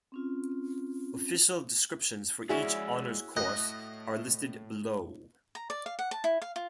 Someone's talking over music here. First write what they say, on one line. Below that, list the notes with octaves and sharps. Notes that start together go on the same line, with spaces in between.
Official descriptions for each honors course are listed below.
C4 C#4 F4
G#3 C#4 E4 F#4 G#4 D5
A2 D#5 D#6 F#6 A#6
A#5
D5
F5
F#5
A5
E4
F5
F4